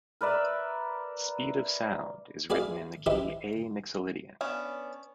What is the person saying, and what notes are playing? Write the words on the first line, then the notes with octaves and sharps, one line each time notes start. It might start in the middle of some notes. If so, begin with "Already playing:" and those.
"Speed of Sound" is written in the key A Mixolydian.
A#4 B4 D5 E5
F#4 G#4 B4 D5 E5 F5
D#4 E4 G4 B4 C5 E5
B3 C#4 D4